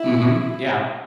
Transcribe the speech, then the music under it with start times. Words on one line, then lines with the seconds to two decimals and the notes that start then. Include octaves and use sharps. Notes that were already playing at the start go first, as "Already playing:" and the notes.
Mhm. Yeah.
Already playing: E4